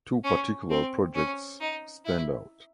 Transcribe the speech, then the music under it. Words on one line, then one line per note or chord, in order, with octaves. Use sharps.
Two particular projects stand out.
C#4
C4
C#4
D#4
E4